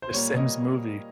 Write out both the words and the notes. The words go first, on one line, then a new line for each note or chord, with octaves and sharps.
The Sims movie
C5
A#2 G3 A#3 C#5
C#5
D#5